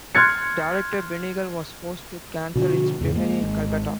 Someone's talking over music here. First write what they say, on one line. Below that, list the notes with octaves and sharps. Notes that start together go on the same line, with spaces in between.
Director Benegal was forced to cancel its premiere in Calcutta.
C6 F6 F#6 G#6 A6 C#7
B2 D3 F3 F#4
E2 G#2 C#3
G#3 A#3
G#1